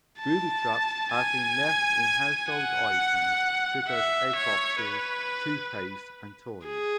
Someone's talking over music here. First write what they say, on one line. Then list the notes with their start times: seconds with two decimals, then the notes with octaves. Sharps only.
Booby-traps have been left in household items such as egg boxes, toothpaste and toys.
0.20 A5
1.12 G#5
2.50 F#5
3.89 E5
4.36 C#5
4.82 B4
6.66 G#4